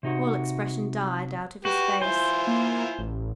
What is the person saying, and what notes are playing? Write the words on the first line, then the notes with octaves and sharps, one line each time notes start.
All expression died out of his face.
C3 D#4 F#4
F#4 G4 B4
E4 F4 C5 G#5
A#3
A1